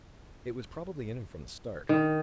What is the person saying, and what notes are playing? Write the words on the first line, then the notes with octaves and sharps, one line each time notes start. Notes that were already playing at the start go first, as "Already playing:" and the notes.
It was probably in him from the start.
D#3